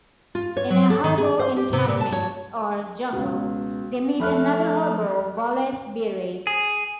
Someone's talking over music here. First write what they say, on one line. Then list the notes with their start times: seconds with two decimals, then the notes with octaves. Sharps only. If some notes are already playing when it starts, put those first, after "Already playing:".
In a hobo encampment, or "jungle," they meet another hobo, Wallace Beery.
0.35 F4
0.57 C#5
0.70 F#3
0.90 A4
1.04 D#3
1.18 G#4
1.39 C5
1.56 G4
1.73 C3
1.88 A#2
2.00 A5
2.12 C#5
3.12 C#2 B2
4.20 F3 A3 A4 B5 F6 F#6
6.47 G#4